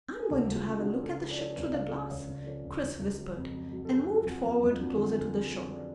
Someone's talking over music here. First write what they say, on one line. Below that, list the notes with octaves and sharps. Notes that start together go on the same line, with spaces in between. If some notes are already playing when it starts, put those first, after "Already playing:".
"I'm going to have a look at the ship through the glass," Chris whispered, and moved forward closer to the shore.
G#4
C#2 F#4 A4
C#2
F4 G#4
C#3
D4 F#4
C#3
C#3 F#4 A4
F3 G#4 B4
D5
F3 A4 C#5
C#2 B4 D5
C#3 C#5 F5
C#3
C#2 C#5 F5
C#2
D5
F3 A4 C#5
C#2
C#2
C#2
F#3
F2
F#3
F#3
A4
F#3 G#4 B4
F#3
F4 G#4
F2 F#4
F4
F2
F2
F4
F2 D4 F#4
D3 F4 G#4
F2
F2 G#4 B4
F#3
B4 D5